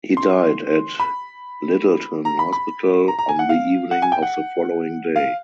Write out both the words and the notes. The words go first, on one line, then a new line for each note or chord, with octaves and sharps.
He died at Lyttelton hospital on the evening of the following day.
C6
B5
A#5
B5
B5
A#5
A#5
G#5
F#5
F5
F#5
G#5
G5
F#5
F5